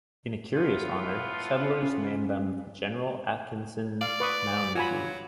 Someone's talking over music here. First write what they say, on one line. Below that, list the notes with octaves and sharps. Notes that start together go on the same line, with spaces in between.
In a curious honor, settlers named them the General Atkinson Mound Group.
A2 B3 F4
C#4
D5 F5
B4 C#6 D#6
F#3 F4 G#5 B5